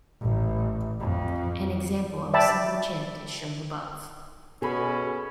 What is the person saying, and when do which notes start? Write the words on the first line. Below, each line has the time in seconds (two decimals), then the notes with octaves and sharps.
An example of a single chant is shown above.
0.21 A1
1.00 F2
2.34 D5 E5 G5 A5 B5
4.62 B2 C#4 G#4 A4 B5